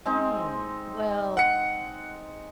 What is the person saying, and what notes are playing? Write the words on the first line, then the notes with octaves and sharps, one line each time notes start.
Hmm. Well,
G#3 C4 D#4
F#5 C#7